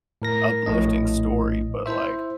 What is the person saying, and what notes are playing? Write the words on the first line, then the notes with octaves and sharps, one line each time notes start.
uplifting story, but, like,
A2 A#4 A#6
A#1 A2 D#5
E4 C5 E5